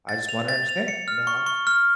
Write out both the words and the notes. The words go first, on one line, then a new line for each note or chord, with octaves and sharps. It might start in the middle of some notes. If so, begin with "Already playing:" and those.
I just wanna understand, you know, how
A6
F7
A6
F7
C#7
F6
C#6
C#6
F6